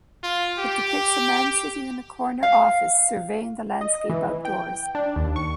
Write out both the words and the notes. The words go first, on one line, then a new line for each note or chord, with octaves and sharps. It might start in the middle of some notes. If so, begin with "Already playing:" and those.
It depicts a man sitting in a corner office surveying the landscape outdoors.
F4
G4
F5
D#5
E3
G5
D4
D#2
C#6